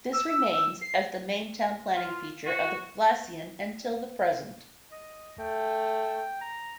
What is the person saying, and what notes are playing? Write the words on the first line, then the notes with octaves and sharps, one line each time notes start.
This remains as the main town-planning feature of the poblacion until the present.
E6
C7
F4
F#4
D#5
A3 G5
A#5